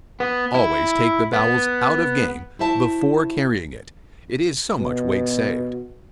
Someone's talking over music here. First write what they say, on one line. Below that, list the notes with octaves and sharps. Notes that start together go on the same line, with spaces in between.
Always take the bowels out of game, before carrying it; it is so much weight saved.
B3
E4
B3
E4 F#4 C5 E5 A5
B2